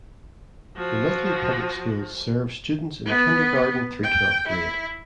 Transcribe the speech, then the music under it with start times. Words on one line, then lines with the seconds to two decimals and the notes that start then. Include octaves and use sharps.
The Nutley Public Schools serve students in kindergarten through twelfth grade.
0.77 F3 F#4
3.06 B3
4.03 G5
4.47 E4